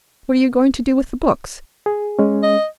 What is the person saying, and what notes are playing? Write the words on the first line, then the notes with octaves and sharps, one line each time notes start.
What are you going to do with the books?
G#4
G#3 C#4
D#5